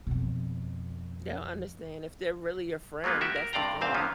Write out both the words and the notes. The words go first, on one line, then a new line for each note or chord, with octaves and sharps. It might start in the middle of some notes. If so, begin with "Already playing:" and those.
They'll understand if they're really your friend. That's the thing.
F2 B2
F#3 G#3 A#3 B3 F4
F#4 G4 E5
A#4
G2 C3 D5 F5 G5 A#5
E2 G2 A#2 C4 C5 F5
D3 D#3 F3 B3 C#4 F4